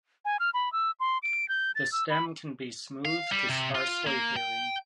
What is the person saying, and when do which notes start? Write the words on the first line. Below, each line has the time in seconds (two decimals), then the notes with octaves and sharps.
The stem can be smooth to sparsely hairy.
0.25 G#5
0.39 F6
0.54 B5
0.72 E6
1.00 C6
1.23 D7
1.48 G6
1.75 A6
1.92 E6
2.10 B5
3.05 F5
3.32 G3
3.49 C3
3.75 F4
4.07 A#3
4.36 G5